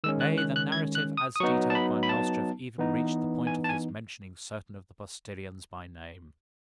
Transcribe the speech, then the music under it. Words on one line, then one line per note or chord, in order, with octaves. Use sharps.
Nay, the narrative, as detailed by Nozdrev, even reached the point of his mentioning certain of the postillions by name!
D#3 G#3 C#4 E6
F#6
F#6
F#6
G#6
F#6
D#6
D#6
F#3 B3 D#4 C#6
A5
B5
B5
A5
E3 B3 D#4
G#5
A5
G#5